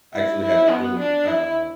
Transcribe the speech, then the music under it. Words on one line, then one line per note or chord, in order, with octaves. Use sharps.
I actually had to really, um,
E4
E4
B3
D4
E4